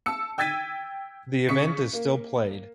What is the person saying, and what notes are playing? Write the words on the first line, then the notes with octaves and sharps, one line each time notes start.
The event is still played.
A5 E6 C#7
G5 E6 G#6 A6 B6 D#7
C#3 C#6 B6 C#7
A#3